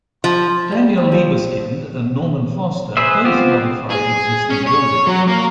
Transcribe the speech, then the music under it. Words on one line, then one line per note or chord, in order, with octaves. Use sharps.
Daniel Libeskind and Norman Foster both modified existing buildings.
F3
G3
C4
F3
G#4 B4 C5 E5
B3 C4 F4 G4 C5
G#4
C#4
C#5
F#3
A#3